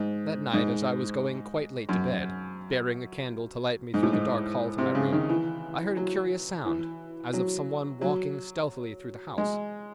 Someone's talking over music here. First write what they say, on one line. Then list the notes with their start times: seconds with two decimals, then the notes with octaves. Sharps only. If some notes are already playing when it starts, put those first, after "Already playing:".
That night, as I was going quite late to bed, bearing a candle to light me through the dark hall to my room, I heard a curious sound, as of some one walking stealthily through the house.
Already playing: G#2
0.53 G#2
1.89 F#2
3.94 G#2
4.03 A2
4.13 G#2
4.78 C3
4.95 C#3
5.12 D#3
5.29 E3
5.97 F#3
6.65 E3
7.33 F#3
8.01 F#3
9.38 G#3